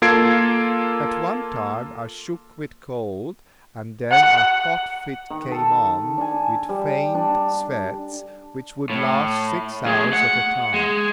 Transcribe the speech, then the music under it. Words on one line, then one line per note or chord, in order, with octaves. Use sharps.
At one time I shook with cold, and then a hot fit came on, with faint sweats, which would last six hours at a time.
A#3 F4 A4 G#6 C7 D7
F#5
D#3
A4
D4 G#5
G3
D4
A2
A3 G#4
F#5
G#3